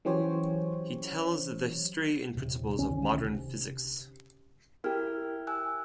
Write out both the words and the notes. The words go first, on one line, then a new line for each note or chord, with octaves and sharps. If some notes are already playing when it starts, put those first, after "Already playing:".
He tells the history and principles of modern physics.
E3 F#3 C#4 G4 C5 C#5
D#1 C3
C2 D3 D#3 C#4
C3
E4 G4 A#4 F6
G#5 E6 F#6